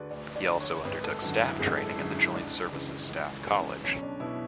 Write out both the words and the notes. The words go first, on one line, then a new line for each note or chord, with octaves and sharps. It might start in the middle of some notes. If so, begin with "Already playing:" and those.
He also undertook staff training at the Joint Services Staff College.
Already playing: D2 D3 F#4 G#4 B4 D5
D2 D5
D5
D3
C#5
G#1 B4
A4
F#2 D3 F#4
E4
G#1 G#4
A4
F#2 D3 G#4
E4
C#2 D4
C#3 E3
C#2
C#3 E3
B1 C#4
D4
B2 E4